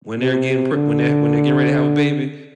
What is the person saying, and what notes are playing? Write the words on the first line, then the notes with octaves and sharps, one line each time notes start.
when they're getting pre when they're when they're getting ready to have a baby.
C3
D3